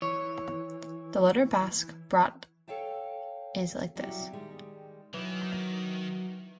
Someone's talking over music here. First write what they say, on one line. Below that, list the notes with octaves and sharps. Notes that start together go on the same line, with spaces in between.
The letter Basque brought is like this.
E3 C#5
A4 C#5 F5 G5 A5
F#3 G3 E4 G4
D#3 G3 G#3
D#3 E3 F#3